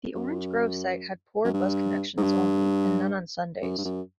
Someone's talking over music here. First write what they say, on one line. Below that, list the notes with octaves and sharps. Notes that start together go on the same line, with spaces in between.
The Orange Grove site had poor bus connections only and none on Sundays.
F#2
F#2
G2
G#2
G2
F#2
G2
F#2